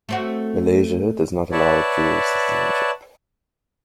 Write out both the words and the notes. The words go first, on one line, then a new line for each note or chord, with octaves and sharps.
Malaysia does not allow dual citizenship.
A3 C4 F#4
B4 C#5 D5 E5 F#5 A5